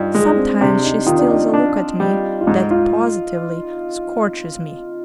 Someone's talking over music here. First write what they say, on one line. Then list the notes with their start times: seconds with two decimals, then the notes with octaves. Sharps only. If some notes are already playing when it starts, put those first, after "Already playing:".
Sometimes she steals a look at me that positively scorches me.
Already playing: G2 D4 D#4 F4
0.14 G#3
0.26 D4
0.37 C4
0.61 C3 D4
0.84 D#4
1.06 D#3 F4
1.19 D4
1.31 D#4
1.54 D4
2.00 G3
2.41 F4
2.47 G#2 D#4
2.71 F4